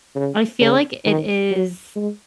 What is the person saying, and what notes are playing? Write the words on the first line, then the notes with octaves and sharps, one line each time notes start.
I feel like it is
C#3
C#3
D#3
F#3
G#3